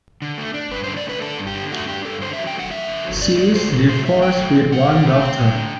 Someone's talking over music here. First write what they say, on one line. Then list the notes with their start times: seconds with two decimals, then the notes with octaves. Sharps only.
She is divorced with one daughter.
0.22 D3
0.38 A3
0.54 D4
0.71 G2 B4
0.84 C5
0.88 D3
0.97 D5
1.05 A3 B4
1.22 D4 A4
1.38 G2
1.47 G4
1.55 D3
1.72 A3 F#4
1.88 D4 G4
2.05 G2 A4
2.21 D3 C5
2.33 E5
2.38 F#3
2.47 G5
2.55 A3 F#5
2.71 F#2 E5
2.88 D3
3.05 F#3
3.21 A3 D5
3.38 F#2 D5
3.55 D3 C5
3.72 F#3 A4
3.89 A3 C5
4.05 F#2 E5
4.21 D3 G5
4.39 A3
4.55 C4
4.72 G2 F#5
4.88 D3
5.06 A3
5.22 C4 G5
5.39 G2
5.55 D3